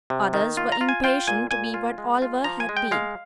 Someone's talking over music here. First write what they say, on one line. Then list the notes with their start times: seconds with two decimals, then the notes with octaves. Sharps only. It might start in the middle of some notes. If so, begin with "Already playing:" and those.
Others were impatient to be what Oliver had been.
0.10 C3
0.34 D#3
0.57 F4
0.72 A#5
0.81 F4
0.89 G#5
1.04 F4 G5
1.27 A#2 G#5
1.51 A#2 G#5
1.74 F4
1.98 G#3
2.22 F4
2.44 F3 A#5
2.60 G#5
2.69 G#3
2.77 G5
2.91 G#3 F5